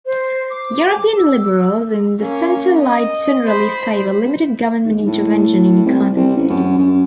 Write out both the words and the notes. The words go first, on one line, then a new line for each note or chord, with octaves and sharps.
European liberals in the centre-right generally favor limited government intervention in economy.
C5
D6
E6
A#3 C#4
D#5
C5 B5
D#2
A2
C2
C2
A1
F#2
F#2